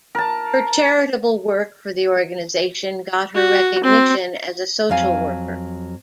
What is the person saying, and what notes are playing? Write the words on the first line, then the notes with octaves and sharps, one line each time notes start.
Her charitable work for the organisation got her recognition as a social worker.
A#4 A5
F#4
C4
F2 F#3 F5 G#5